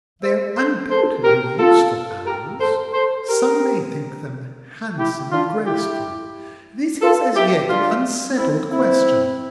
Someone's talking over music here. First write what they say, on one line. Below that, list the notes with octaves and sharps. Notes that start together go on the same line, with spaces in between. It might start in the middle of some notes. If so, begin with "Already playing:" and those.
They are undoubtedly useful animals; some may think them handsome and graceful: this is, as yet, an unsettled question.
C5 E5
A4 C5
A4 C5
G4 A#4
F4 A4
G4 A#4
A4 C5
A4 C5
G4 A#4
E4 G4
D4 F4
E4 G4
F4 A4
E4 G4
D4 F4
C4 E4
C4 E4